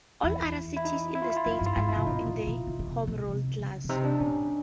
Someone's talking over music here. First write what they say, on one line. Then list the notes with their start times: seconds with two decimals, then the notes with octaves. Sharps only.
All other cities in the state are now in the home rule class.
0.23 E2 E4
0.77 E4
0.85 D#4
1.15 E4
1.22 F4
1.30 E4
1.37 F4
1.44 F2 E4
1.51 F4
1.59 G2 E4
1.66 F4
1.73 E4
1.76 G#2 F4
1.89 E4
1.96 C3
2.06 B2 D#4
2.27 A#2
2.47 B2
2.67 B2
2.79 B2
2.87 C3
3.07 B2
3.28 C3
3.59 C#3
3.84 B2
3.89 C3 D#4
4.04 D4
4.20 A#2 C#4